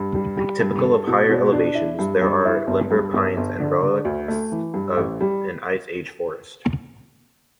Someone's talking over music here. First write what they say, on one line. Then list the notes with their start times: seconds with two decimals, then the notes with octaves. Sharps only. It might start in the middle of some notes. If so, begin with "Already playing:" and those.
Typical of higher elevations, there are limber pines and relicts of an ice-age forest.
Already playing: G2
0.15 G3
0.37 G3
0.60 G2
0.83 A4
1.07 B2
1.29 B2
1.52 D4
1.75 E4
1.99 G2
2.22 G2
2.45 E4
2.67 G1
2.91 G2
3.13 G1
3.37 G1
3.60 D3
3.83 D3
4.05 D2
4.28 A3
4.52 E3
4.74 G2
4.97 A1
5.21 G3